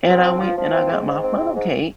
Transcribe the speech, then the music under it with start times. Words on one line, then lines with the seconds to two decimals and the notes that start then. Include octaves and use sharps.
And I went and I got my funnel cake
0.08 C4
0.24 F3
0.40 F3
0.57 F3
0.73 C4
0.90 G#2
1.06 G#2
1.23 C4
1.40 G#2
1.55 G#2